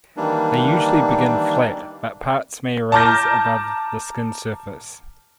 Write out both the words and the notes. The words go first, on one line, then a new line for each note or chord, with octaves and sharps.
They usually begin flat, but parts may raise above the skin surface.
D#3 E3 G3 A#3 D4
A5 A#5 D6 F6 G6 A#6